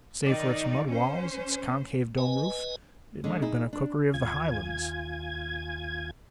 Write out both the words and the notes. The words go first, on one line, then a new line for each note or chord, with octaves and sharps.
Save for its mud walls, its concave, dome-roof, it might have been a cookery of the Highlands.
D#3 D#4 D5
C#4 C5
B4 D#5 G#5
D3 G#3 C#4
D#4 E4 G#4
D4
D#2 F4 G#5 G#6